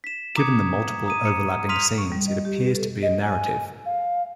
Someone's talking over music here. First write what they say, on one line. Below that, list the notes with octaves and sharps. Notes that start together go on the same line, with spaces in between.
Given the multiple overlapping scenes, it appears to be a narrative.
B6 E7
A#5 D6 D#6 G#6 C#7
A#5 D#6 D#7
A#5 C#7
C6 D#6 F6 B6 D#7 F7
C#6
G3
D#5
G4
B4
A4
D#5
G#5
F5